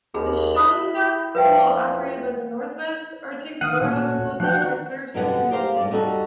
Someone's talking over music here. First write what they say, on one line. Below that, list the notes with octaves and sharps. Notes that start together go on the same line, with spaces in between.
The Shungnak School, operated by the Northwest Arctic Borough School District, serves the community.
D#2 G#4 B5
E4 B5 D#6
E2 F3 B4 E5 G5
D#3 F5 F#5 D#6
A#2 A3 C#4 F#4
F3 D4 F#4 F#5 G5
D#3
F#2 B2 D3 G3 F#4 F#5
G4 G#4 A#4 C5 F5
G2 D5
G3 D#4 F#4 A4